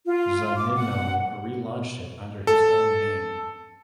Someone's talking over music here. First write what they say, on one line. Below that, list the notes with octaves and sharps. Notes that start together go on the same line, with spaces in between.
Zunino relaunched it under his own name.
F4
D6
F#5
A4